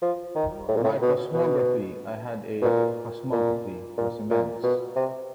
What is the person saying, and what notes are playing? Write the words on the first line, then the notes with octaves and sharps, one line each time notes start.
My cosmography, I had a cosmography, was immense.
F3
D#3
A2
A#2
A2
B2
B2
B2
A#2
A#2
A#2
A#2
B2
C3